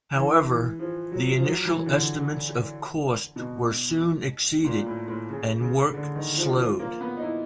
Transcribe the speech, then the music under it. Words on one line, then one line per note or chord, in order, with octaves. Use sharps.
However, the initial estimates of cost were soon exceeded, and work slowed.
E3
E3
F3
F#3
F3
F#3
E3
D3
B2
A#2
A2
A2
C#3
C#3
D3
D#3
F3
F3
A#3
B3
D#4
E4